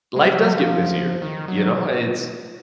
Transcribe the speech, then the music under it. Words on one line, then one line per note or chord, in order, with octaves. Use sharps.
life does get busier, you know, it's
G#3
F#3
F3
D#3
F#3